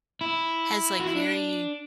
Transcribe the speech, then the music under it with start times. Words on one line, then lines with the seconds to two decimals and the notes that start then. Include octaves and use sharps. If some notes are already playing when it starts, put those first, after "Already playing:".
has like, very,
0.21 E4
1.00 F#4
1.07 E4
1.15 D4